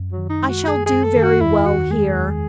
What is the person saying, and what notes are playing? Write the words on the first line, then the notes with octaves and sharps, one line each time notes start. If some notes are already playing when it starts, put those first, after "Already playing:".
I shall do very well here.
Already playing: F#2
F#3
D#3
D#4
G#3
F#4
F#2 G#4
G#4
F#2
A4
D#3
F#4
E2 E4
D#3 F#4
G#3 G#4
E2